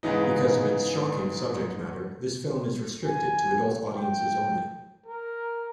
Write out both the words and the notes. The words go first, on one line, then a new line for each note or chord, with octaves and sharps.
Because of its shocking subject matter, this film is restricted to adult audiences only.
G#2 C#3 E3 B3 D#4
G#5
G5
A#4